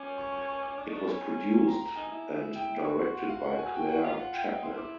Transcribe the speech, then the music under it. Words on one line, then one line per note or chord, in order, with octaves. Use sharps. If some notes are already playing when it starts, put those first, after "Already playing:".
It was produced and directed by Clare Chapman.
Already playing: C#4 D6
C#6
C#6
C#6
D6
D4 D6
D#4
D4 C#6
C#4 B5
C4 A#5
A#5
D#4 G#5
E4
G5
F#4 C#6
C6
F#5
F5
F#5
G#5
G5
F#5
F4 F5
F#5
F4 G5
E4 G5
D#4
E4 C6
D6